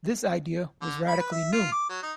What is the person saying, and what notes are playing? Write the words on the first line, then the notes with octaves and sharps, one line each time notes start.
This idea was radically new.
D3
B5
B4
E5
F4
D6
F#3
D#4